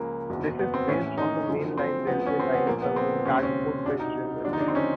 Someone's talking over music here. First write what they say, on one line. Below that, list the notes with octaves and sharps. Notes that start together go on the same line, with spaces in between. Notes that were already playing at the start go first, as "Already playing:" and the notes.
This is based on the main line railway line serving Catford Bridge railway station.
Already playing: C#2 C#3 F3 A#3
F#1 E2 B2
B3
C4
A1 A2 E3 C#4
D#4
F#1 F#2 D3 F3
C4
D2 C#3 F3 B3
C#4
C4
B3
A#1 A#2 F3 A#3
B3
C4
E1 D#2 C#3 C#4
C4
C#4
C2 B2 D4
D#4
D#2 D3 F3 D4
D#4
D4
C4
C#4